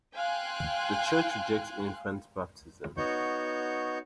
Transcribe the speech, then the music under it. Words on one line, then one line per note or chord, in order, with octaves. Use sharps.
The church rejects infant baptism.
F5 G5 G#5 C6 F#6
B3 D#4 F#4 C#5 C#6 G6